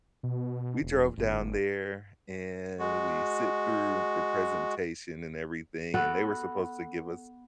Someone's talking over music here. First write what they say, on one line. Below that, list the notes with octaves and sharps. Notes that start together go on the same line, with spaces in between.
we drove down there, and we sit through the presentation and everything, and they were supposed to give us
B2
E1
G1
G#3 F#4
B3 F#4 A4